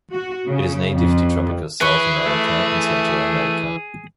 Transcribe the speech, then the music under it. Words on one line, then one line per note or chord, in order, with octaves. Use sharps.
It is native to tropical South America and Central America.
F#4
C#3
F2
E3 G#4 B4 C#6
A3